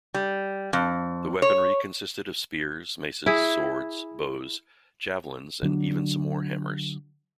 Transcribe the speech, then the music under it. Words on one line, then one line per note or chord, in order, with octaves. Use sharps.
The weaponry consisted of spears, maces, swords, bows, javelins and even some war hammers.
G3
F2
C#5
E4 G#4
D3 F#3 D4